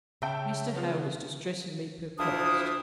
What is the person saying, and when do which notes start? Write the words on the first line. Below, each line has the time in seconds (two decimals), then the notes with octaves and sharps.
Mr. Hale was distressingly perplexed.
0.22 C#3 E5 G5 A5
0.75 B3 F4
2.18 D2 F3 D4 E4 F5 D#6